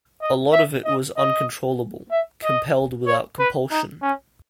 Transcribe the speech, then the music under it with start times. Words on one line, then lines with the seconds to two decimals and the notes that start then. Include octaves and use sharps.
A lot of it was uncontrollable-compelled without compulsion.
0.22 D#5
0.52 E5
0.85 D#5
1.17 D#5
2.11 E5
2.43 D#5
3.07 C#5
3.39 B4
3.71 D#4
4.02 C#4